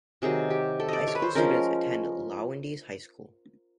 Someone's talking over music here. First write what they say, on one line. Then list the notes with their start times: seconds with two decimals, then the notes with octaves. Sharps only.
High school students attend Lowndes High School.
0.22 C3 D#3 F#3 G#4
0.50 G4
0.80 A4
0.88 D5 D#5
1.08 C#5
1.15 B4
1.22 C5
1.35 F3 G#3 C#4 A#4